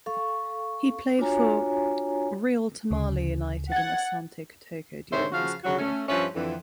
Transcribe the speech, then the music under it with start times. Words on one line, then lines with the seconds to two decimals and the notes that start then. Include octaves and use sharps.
He played for Real Tamale United and Asante Kotoko during his career.
0.06 A4 F5 C#6
1.19 D4 F4 F#4 C#5 G#5 A#5
2.91 D2 C#3
3.72 F#5 G#6 A6
5.12 G#2 C3 D#3 C5 C#5 E5
5.32 C#3 F3 F#4 F5
5.64 C#3 F#3 F#4
5.79 A3 C#4
6.08 G2 F3 C#4 B4 E5
6.35 F2 D3 E3